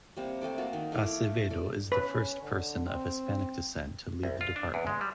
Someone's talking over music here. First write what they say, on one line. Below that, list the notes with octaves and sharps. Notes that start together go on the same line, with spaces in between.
Acevedo is the first person of Hispanic descent to lead the department.
C3 G3 A#3
G3 A3 A4 D6
A#3 F#4 A5
D#3
A3 E4 F5 D6
A4 D5
C#4 B4
D3
C4
C2
F4
D4
E2
G#3
G3